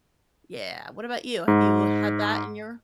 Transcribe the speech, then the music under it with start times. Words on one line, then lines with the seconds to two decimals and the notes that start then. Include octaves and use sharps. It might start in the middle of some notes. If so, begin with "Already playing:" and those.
Yeah, what about you? Have you had that in your
1.48 G#2